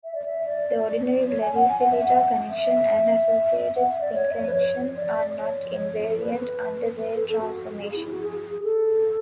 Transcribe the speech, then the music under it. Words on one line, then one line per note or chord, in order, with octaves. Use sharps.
The ordinary Levi-Civita connection and associated spin connections are not invariant under Weyl transformations.
E5
D5
E5
D5
C#5
G#5
F#5
G#5
F#5
E5
F#5
E5
F#5
E5
D5
C#5
E5
C#5
B4
C#5
D5
C#5
A4
B4
B4
A4
A4
F#4
G#4
E4
F#4
G#4
G#4
A4